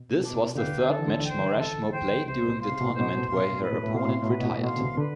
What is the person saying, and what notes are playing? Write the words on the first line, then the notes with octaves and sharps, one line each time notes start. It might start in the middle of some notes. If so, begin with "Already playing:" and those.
This was the third match Mauresmo played during the tournament where her opponent retired.
Already playing: B2
C3
B2 D4
D2 D3 G4 B4 F5
D3 A4
E3
D2 D3
G5
C5
A4
C5 G5
C2 C3 C5
A2
B2
F5 C6
C3
B2
A2 C5
B2
F5 C6
A2 B4
B2
A2
B2 F5 C6
A2
A2
B2 B4
B2
A2
B2 F5 C6
D3
C2 C3
D3 B4